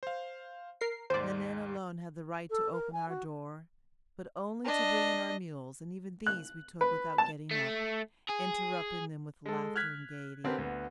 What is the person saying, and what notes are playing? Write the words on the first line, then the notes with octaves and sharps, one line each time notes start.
Nanine alone had the right to open our door, but only to bring in our meals and even these we took without getting up, interrupting them with laughter and gaiety.
C5 F5
A#4 C7
D#2 G#2 C5 D5
A4
A#4
G#5
F#4
D4 D#5
F#6
B4
A5
A3
G#4
G#3 A4
F6 F#6 G#6 B6
D3 C4 G4 A#4 B4
D2 B3